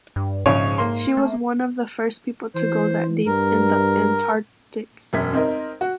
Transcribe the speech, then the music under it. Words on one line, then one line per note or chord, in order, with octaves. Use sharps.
She was one of the first people to go that deep in the Antarctic.
G2
A#1 G#2 C#3 C#5
A#3 C6
A3
E3 C5
G2 A#4
E1 F#2 G#6 B6
C4 D#4 A#4
F#4